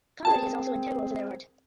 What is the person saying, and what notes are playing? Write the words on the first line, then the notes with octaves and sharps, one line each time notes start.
Comedy is also integral to their art.
C4 G#4 A#4 G5 A5